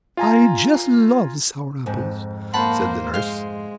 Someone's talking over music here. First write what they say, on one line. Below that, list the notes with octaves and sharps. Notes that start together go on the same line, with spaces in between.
"I just love sour apples," said the nurse.
F4 G#5 A#5
F2 G#2
A#3 C5 F#5 A5 B5
G#3 C5 F5